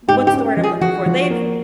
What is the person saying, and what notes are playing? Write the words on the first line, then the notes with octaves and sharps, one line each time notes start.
what's the word I'm looking for they've
G#2 G4
G4
C#4
F3
G#4
F3 F#4
F3
A#3